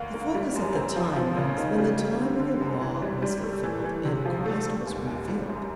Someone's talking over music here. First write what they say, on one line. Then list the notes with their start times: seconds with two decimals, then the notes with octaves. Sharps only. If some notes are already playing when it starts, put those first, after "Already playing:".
"The fullness of the time" means when the time of the Law was fulfilled and Christ was revealed.
Already playing: D2 A#3
0.14 A#3
0.34 G3
0.55 F#2
0.75 C4
0.96 F3
1.16 F3
1.37 C#3
1.58 D#3
1.78 G3
2.00 G3
2.19 D3
2.40 D3
2.61 F#2
2.81 E3
3.02 G3
3.22 G3
3.43 A3
3.63 E3
3.84 E3
4.05 C3
4.26 F3
4.46 A3
4.67 G3
4.87 D#2
5.07 D#2
5.28 G3
5.49 F#2